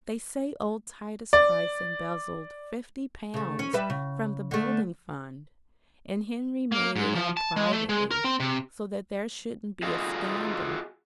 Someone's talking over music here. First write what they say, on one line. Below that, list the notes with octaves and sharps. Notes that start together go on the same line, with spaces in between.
'They say old Titus Price embezzled fifty pounds from the building fund, and Henry made it up, privately, so that there shouldn't be a scandal.
D5
C#3 A3
C#4
G3 B4 E5
C#3
D3 A3
A#3
G#2
F3
A5
G#3
A3
G#3
A#4
C4
C3
F4 F#4 G#4 A4 D#5 F5